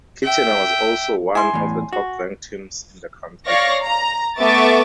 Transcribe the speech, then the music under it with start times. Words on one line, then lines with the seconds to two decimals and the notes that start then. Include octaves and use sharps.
Kitchener was also one of the top-ranked teams in the country.
0.23 E5 G5
1.35 E4 G#5 C6
1.53 E2 A2
1.93 F#4
3.47 C#5 D5 F5 C#6 A#6
3.82 A#5
4.39 A3 B3 E5 C#6 D6 A6